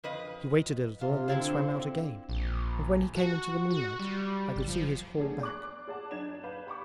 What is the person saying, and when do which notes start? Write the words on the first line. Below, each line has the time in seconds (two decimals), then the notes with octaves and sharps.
He waited a little and then swam out again; and when he came into the moonlight I could see his whole back.
0.04 F2 B4 D#5
1.01 C3 F4
1.28 D3 C4 E4 F4
2.29 A#1
3.16 F#4
3.71 F#4
3.99 G3
4.56 G1
4.68 F3
5.18 A3 B3 D4 G#4
5.41 D5 D6 F#6
5.88 G#4 D5 F#5 A5
6.11 F#2 D4 D#4 G#6 E7
6.43 B4 F5 G6
6.67 G4 B5 C#6 D6